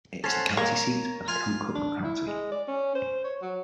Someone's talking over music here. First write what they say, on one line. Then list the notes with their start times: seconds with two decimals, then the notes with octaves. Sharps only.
It is the county seat of Keokuk County.
0.24 C#4 A4 C5 F#5
0.57 A#3 A#4 C#5
1.28 F4 F5 G#5
1.75 D4
2.04 E4
2.27 G#3
2.52 D5
2.68 C#4
2.95 C5
3.24 C#5
3.42 F#3